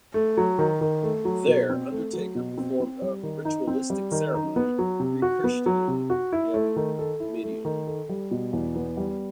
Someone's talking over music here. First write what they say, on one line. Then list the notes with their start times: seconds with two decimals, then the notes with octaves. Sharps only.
There Undertaker performed a ritualistic ceremony, rechristening him Mideon.
0.14 A3
0.37 F#3
0.59 D#3
0.81 D#3
1.03 A3
1.25 F#3
1.47 B2
1.70 C4
1.92 A3
2.13 F#3
2.35 B2
2.58 C4
2.80 C4
3.02 G3
3.23 D#3
3.45 D#4
3.67 C4
3.90 G3
4.12 D#3
4.34 D#4
4.56 B3
4.79 F#3
5.00 C3
5.22 F#4
5.44 B3
5.66 F#3
5.88 C3
6.10 F#4
6.32 E4
6.54 A3
6.76 D#3
6.99 A4
7.20 E4
7.43 A3
7.65 D#3
7.87 A4
8.09 G3
8.31 B2
8.53 E2
8.76 B3
8.97 G3